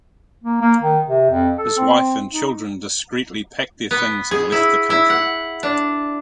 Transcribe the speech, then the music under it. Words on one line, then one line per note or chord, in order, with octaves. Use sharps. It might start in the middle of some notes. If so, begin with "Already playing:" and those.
His wife and children discreetly packed their things and left the country.
A#3
A#3
D#3
C3
F2
A4
C4
D#4
B3
G#4
E4
E4
F#5
D4